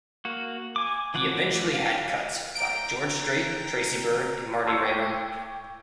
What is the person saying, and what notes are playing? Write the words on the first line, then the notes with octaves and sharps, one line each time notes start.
He eventually had cuts by George Strait, Tracy Byrd, and Marty Raybon.
A#3 F#4
G#5 D6
E3 F3 F#5 D6
F5
G5 A#5 D7
A5 C6 C#6 E6 G6 G#6
G5 C#6 D6